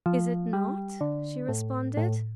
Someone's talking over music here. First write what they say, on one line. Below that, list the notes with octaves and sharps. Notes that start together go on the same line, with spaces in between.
"Is it not?" she responded.
F3
G3
D3
A2
A2